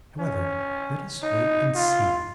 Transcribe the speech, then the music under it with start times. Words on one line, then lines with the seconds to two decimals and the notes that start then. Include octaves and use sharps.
However, let us wait and see.
0.19 C#4
1.23 D#4
1.75 F4